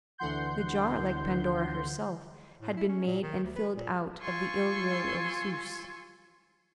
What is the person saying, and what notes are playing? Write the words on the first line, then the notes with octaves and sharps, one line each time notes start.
The jar, like Pandora herself, had been made and filled out of the ill will of Zeus.
D2 D3 E3 F#5 C6 G6
A2
E4
C#4
A#2
D#3
D2
B4
A#2
F4 G#5 C6 C#6 E6